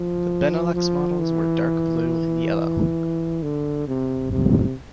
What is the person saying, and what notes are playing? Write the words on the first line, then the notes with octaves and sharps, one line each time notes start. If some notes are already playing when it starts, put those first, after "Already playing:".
The Benelux models were dark blue and yellow.
Already playing: F3
F3
E3
D3
C3
C3